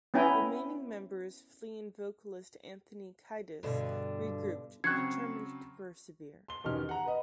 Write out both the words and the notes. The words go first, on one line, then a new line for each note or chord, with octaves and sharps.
Remaining members Flea and vocalist Anthony Kiedis regrouped, determined to persevere.
B3 C#4 E4 G5 G#5 A#5
G2 B2 D3
C#3 F#3 C4 C#6 F#6 G#6 C7 C#7
C6 G7
E2 B2 D#3 C#4 G4 F6
F#5 A#5
B4 D#5